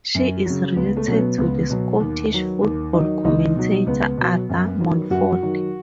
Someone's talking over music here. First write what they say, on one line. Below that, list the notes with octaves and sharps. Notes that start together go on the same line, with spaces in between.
She is related to the Scottish football commentator Arthur Montford.
F#2
C#3 F#3
C#2 B3
A3
B2 F#3 C#4
B3
C#2 B3
B2 F#3
D#2
D#3 F#3
D#2
D#3 F#3 D#4
C#2 D#4
B2 F#3
C#2 B3
B2 F#3
F#2
D#3 F#3
F#2 F#4
D#3 F#3